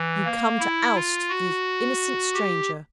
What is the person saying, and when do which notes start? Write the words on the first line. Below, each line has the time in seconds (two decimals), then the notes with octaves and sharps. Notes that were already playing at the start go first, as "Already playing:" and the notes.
'You come to oust the innocent stranger.
Already playing: E3
0.25 A#3
0.60 E4
0.95 F4
1.29 F#4
2.34 G4